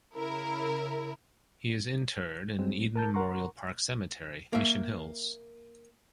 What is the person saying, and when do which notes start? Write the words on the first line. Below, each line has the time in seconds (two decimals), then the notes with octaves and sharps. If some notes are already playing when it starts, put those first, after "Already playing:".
He is interred in Eden Memorial Park Cemetery, Mission Hills.
0.15 C#3 E4 A#4
2.59 F#3 G#3 C4
2.96 A#4 A5 G6
3.14 A#4 F#5 A#5 C6 C#6
4.53 A#3 E5